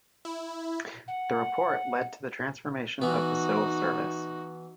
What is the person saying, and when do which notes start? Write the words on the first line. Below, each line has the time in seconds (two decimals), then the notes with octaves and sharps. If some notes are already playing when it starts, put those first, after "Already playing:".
The report led to the transformation of the civil service.
0.25 E4
1.07 F#5
3.02 E3 B3 D#4 F#4